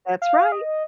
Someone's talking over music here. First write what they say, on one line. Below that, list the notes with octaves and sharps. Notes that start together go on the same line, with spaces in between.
That's right.
F5
D#5